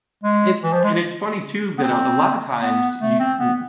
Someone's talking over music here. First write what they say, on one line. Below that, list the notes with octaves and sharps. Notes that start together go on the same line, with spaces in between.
And and it's funny too, that a a lot of times, you, w
G#3
E3
F3
G#3
B3
C4
B3
A3
C4
B3